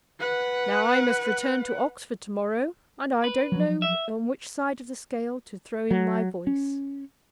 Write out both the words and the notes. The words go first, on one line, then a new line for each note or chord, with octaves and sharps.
Now I must return to Oxford to-morrow, and I don't know on which side of the scale to throw in my voice.'
B4 F#5
B4
F3 F#3
E5
F#3
C#4